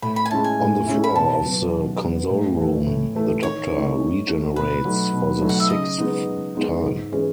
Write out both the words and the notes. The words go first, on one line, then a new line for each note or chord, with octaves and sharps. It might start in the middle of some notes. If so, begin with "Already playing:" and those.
On the floor of the console room, the Doctor regenerates for the sixth time.
A2 B5
B5
G#5
G#3 C#4 E4 A5
G#5
A2
G#3 C#4 E4
B5
B2 A5
F#3 B3
B2
F#3 B3
A2
E3 A3
A2
E3 A3
D#3 C#5
A3 D#4
D#3
A3 D#4
B2 B4
F#3 A3 D#4
B2
F#3 A3 D#4
F#5
E5
C#3 D#5
G#3 B3 D#4
C#3
G#3 B3 D#4
G#2
E3 G#3 C#4 G#4